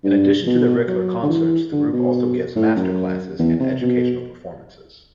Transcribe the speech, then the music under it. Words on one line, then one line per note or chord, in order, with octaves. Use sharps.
In addition to their regular concerts, the group also gives masterclasses and educational performances.
G2
B2
F#3
D3
E3
D3
B2
A2
F#2
E2
C3
B2